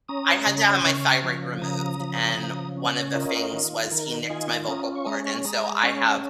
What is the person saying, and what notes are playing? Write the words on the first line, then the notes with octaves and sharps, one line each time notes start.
I had to have my thyroid removed. And one of the things was he nicked my vocal cord, and so I have,
C#4 A#5 D#6
C#3
C#3 C#6 F6
F3
C#3 A#5 D#6
F3
C#3
C#4
F4 A#4 D#5
D#3
D#3 A#4
F4 D#5 G#5
C#4 A#5 D#6
C#6
G#3 A#5 D#6
C#6 F6
G#3 A#5 D#6
C#4 C#6 F6